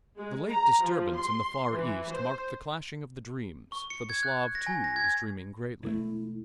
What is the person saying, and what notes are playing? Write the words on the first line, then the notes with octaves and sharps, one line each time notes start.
The late disturbance in the Far East marked the clashing of the dreams, for the Slav, too, is dreaming greatly.
G#3
A#5
F3
C6
E3
C5
C#6
C#7
G#6
F#6
A#6
G#5
A#6
G#6
E1 E2 A3 E4